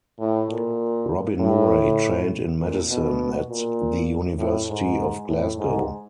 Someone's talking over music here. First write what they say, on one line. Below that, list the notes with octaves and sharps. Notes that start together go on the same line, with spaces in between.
Robin Murray trained in medicine at the University of Glasgow.
A2
A#2
A2
A#2
B2
A#2
A2
G#2
A2
G#2